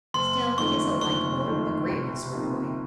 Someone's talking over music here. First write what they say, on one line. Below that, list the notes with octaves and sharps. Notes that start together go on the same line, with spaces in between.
"Still, he's a likable, agreeable sort of boy."
F#1 C6
F2 D#3 A3 C#6
F#1 C#6
F2 D#3 A3
C2
C3 F3 A#3 D#4